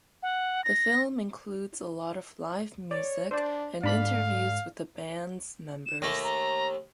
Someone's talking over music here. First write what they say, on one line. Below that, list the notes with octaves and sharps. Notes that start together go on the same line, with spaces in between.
The film includes a lot of live music and interviews with the band's members.
F#5
A#6
C#5 D5
D4 C5 D5
G#2 D3 D4 F5 B5
E7
D#2 A3 A#6
A#5